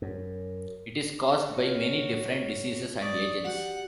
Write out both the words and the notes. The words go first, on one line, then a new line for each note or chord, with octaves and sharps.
It is caused by many different diseases and agents.
F#2
F4 F#4 C#5
D5 C#6 D#6
F#4 G4 F#5